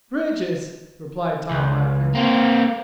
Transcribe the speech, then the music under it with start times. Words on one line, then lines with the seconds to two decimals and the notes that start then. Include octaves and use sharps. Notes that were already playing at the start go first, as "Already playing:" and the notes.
"Bridges," replied Tom, laughing.
1.51 C#2
2.15 A#3 C4